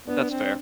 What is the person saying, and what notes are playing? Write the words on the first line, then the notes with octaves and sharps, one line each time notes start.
that's fair.
B3 D4
C4